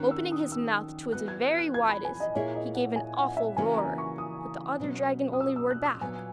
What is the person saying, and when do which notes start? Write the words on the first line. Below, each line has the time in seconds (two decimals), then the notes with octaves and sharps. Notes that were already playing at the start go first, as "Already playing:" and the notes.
Opening his mouth to its very widest, he gave an awful roar; but the other dragon only roared back.
Already playing: D#3 A#3 C#4 F#4 F#6
0.11 E6
0.32 D#6
0.52 E6
1.12 E3 B3 F#4 F#6
1.28 G#6
1.59 F#6
1.74 G#6
1.89 B5
2.05 G#5
2.20 D#5
2.35 A#2 A#3 E4 G#4 C#5
2.55 D#5
2.75 F#5
2.96 G#5
3.17 F#5
3.37 E5
3.57 C#3 E3 A#3 C#4 F#4 G#5
3.77 A#5
3.98 C#6
4.18 D#6
4.80 B2 F#3 C#4
5.33 D#6
5.40 E6
5.56 E6
5.71 F#6
5.86 E6
6.01 A#2 F#3 B3 G#5